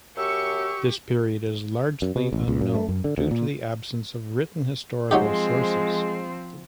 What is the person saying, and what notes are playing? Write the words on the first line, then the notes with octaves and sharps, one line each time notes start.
This period is largely unknown due to the absence of written historical sources.
F#2 G4 C#6 E6
F#2
B2
A1
C#2
F#2
A3
F#2
D3
D2
A#2
F3 F#3 G#3 C4 D#4 G4